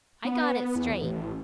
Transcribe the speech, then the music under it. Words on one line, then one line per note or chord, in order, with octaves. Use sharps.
"I got it straight."
B3
E2
A1